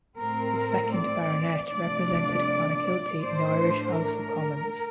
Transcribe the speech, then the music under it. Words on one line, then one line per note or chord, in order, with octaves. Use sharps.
The second Baronet represented Clonakilty in the Irish House of Commons.
A2 A3 C4 A#4
D5
C3 F3 A3 D4 D5
A2 A3 D4 C5
A#4